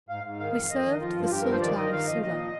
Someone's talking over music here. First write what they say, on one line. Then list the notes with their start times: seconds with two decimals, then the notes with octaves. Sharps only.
We served the Sultan of Sula.
0.09 G#2 F5
0.24 G#2
0.39 D#3 F5
0.55 F2
0.69 F2 D#5
0.85 D#3
1.01 F3 F4
1.16 G2
1.25 F4
1.31 G2 G4
1.41 A#4
1.46 F3
1.52 C5
1.61 D#3 D5
1.77 D#3 D#5
1.92 D#3 F5
2.07 F2 D#5
2.22 A#2 D#5
2.38 F3